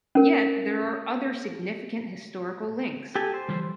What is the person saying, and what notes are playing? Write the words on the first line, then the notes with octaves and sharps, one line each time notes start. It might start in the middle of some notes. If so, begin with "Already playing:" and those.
Yet there are other significant historical links.
C#4 A#4
G4 A4 G#5
C5
E3 F3 G3